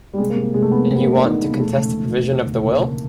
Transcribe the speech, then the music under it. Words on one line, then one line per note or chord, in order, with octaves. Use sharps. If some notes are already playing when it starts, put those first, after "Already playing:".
And you want to contest a provision of the will?
G3
C3 G#3
A#3
C3
A#3
C3 G#3
A3
F1 B3
A#3
C3 A3
B3
A#3
C3
D4
E3 D#4
D#4
F1
A#3
G#3
E1 A3
C#3 A3
E1
E1
E1
D2
C#3 A#3
C#3